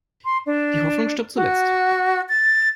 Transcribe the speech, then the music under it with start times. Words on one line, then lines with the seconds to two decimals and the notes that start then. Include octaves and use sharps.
Die Hoffnung stirbt zuletzt.
0.24 C6
0.45 D4
1.35 F#4
2.28 A6